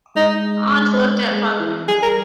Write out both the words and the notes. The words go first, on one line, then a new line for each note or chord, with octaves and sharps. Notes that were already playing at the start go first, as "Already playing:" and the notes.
Aunt looked at butler.
G#3 D#4
G#3
E3
G3 G#4
A#4